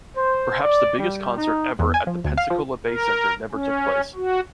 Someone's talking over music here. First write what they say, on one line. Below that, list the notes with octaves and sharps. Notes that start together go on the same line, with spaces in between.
Perhaps the biggest concert ever at the Pensacola Bay Center never took place.
C5
D5
G3
D#4
E2
G#5
F3
D2
F5
F3
A#4
C#4
F#4